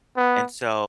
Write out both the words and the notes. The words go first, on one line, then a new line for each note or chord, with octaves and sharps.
And so
B3